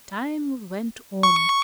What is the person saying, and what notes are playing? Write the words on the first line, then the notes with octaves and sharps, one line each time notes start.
Time went on.
C#6